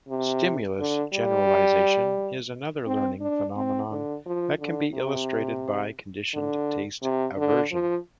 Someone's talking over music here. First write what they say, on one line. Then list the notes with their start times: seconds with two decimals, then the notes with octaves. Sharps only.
Stimulus generalization is another learning phenomenon that can be illustrated by conditioned taste aversion.
0.09 C3
0.79 D3
1.13 G3
2.87 C4
3.21 D4
3.56 C4
3.91 D3
4.26 F3
4.59 D3
4.94 C3
6.34 D3
7.03 C3
7.37 D3
7.72 F3